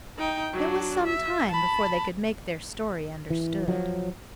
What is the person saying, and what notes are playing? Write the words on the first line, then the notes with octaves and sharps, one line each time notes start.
It was some time before they could make their story understood.
D#4 G5
F#3 D4
E5
A5 B5
E3
F3 F#3